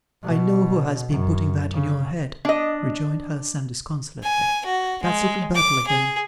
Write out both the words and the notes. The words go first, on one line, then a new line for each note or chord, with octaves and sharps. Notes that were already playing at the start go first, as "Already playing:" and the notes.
'I know who has been putting that in your head,' rejoined her son disconsolately; 'that's Little Bethel again.
B2
F#2
C#3
D4 D#5
G#5
F#4
G#3
D6
G#4